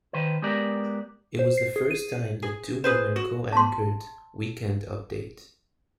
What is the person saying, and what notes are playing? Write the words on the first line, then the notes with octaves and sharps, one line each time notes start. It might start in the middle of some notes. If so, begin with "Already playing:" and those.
It was the first time that two women co-anchored "Weekend Update".
D#3 B4 C5
G#3 B3 G4 A#4 D5
C5
C7
G#4
D#7
G#4
G#4 B4 C5
F#4
A5 C6